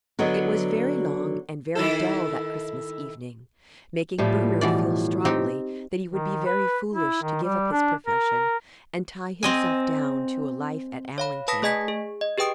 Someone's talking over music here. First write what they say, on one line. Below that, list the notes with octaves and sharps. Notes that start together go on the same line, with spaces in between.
It was very long and very dull that Christmas evening, making Bernard feel strongly that he would be very foolish to give up his profession, and tie himself down to a life at Allington.
D3 F#3 B3 D#5
D#3 E4 A4
A2 F3 G3
B2 E3 D5
C4 D#4 G4
D#3
B4
E4
D#3
G3
D4
A#4
C4 D#5 G#5
C#5 F5 B5
B4 A5 B5 D#6 A#6 B6
A3 G#4 D#5 G#5 G#6 B6
G#4
D#5
G4 G#4 B4 G5 D#6 D7